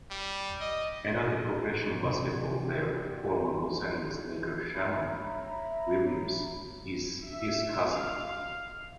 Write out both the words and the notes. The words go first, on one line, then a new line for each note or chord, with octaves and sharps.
Another professional basketball player, former Los Angeles Laker Shammond Williams, is his cousin.
G3
D#5
C3 C4 D4 F#4 G4
C#5 E5 A#5 B5
E5
F5